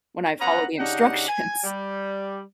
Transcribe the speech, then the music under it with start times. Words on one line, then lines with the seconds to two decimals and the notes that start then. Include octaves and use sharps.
when I followed the instructions."
0.40 B3 C#4 B4 F#5 A#5
0.79 C#3 D4 D#4 G4 F#5
1.28 G#5
1.64 G3